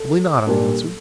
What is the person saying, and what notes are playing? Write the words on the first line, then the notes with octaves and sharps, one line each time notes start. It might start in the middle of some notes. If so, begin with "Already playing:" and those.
"Probably not," I answered.
Already playing: A4
A#2 G3 A#3 D4